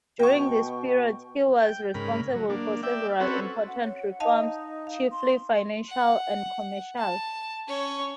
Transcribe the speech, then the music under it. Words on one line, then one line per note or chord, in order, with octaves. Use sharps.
During this period he was responsible for several important reforms, chiefly financial and commercial.
B2 G5 C#6
G5
G#2 C#3 A#4 B5
F#3
A#3 D4
D5 E5 G5
C4 C#4 F#4 A4 B4
F#5
C#5
D#4 D#5 F5 A5
F5
C6
F#5
A5
C#4 C#5